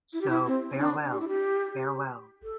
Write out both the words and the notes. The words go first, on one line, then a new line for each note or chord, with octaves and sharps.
So farewell, farewell.
E4
G4
E4
C4
C4
D4
G4
E4
G4
A4